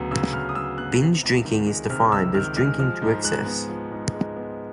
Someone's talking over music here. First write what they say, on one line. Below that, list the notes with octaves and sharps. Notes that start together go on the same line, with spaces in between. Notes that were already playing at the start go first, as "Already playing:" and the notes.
Binge drinking is defined as drinking to excess.
Already playing: D2 C#3 F#3 B3
C#3 E6
D2 F6
D#6
F#3 E6
B3 F#6
C3
C#2
D#3
G#3
C3 F6
C#2 E6
D#3 F6
G#3 F6
F3 F6
G#2
G#3 F#6
B3
F3
G#2
G#3
B3